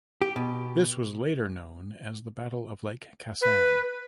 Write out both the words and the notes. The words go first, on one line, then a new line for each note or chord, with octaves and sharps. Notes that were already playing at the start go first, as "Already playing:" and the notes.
This was later known as the Battle of Lake Khasan.
G4
B2
B4